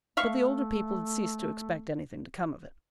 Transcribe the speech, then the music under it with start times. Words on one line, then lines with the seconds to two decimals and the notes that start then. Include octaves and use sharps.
But the older people had ceased to expect anything to come of it.
0.17 A3 E5 F5 C#6